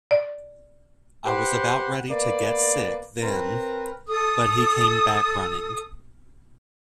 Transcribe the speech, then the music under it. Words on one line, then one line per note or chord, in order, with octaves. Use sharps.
I was about ready to get sick then, but he came back running.
D5
G4 B4 C5 F#5
A#3 B3 B4 D5
C4 A#4 B4
A4 D#6